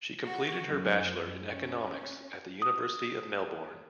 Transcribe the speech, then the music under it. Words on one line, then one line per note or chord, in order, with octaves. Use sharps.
She completed her bachelor in economics at the University of Melbourne.
F#4
F#2
C#4
D#6